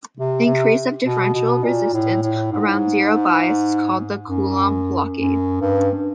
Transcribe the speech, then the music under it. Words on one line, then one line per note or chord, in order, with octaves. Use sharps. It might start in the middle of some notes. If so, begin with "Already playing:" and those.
The increase of the differential resistance around zero bias is called the Coulomb blockade.
C3
C3
B2
B2
A#2
A2
A2
G#2
F#2
F#2
G2